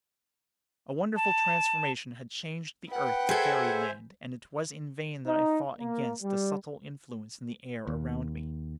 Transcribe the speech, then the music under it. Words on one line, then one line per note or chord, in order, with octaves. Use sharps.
A wonderful transformation had changed the earth to fairy land, and it was in vain that I fought against the subtle influence in the air around me.
A5
B4 F#5 G5
G#4 A4 C5 E5 G#5
D#4
A#3
G3
D#2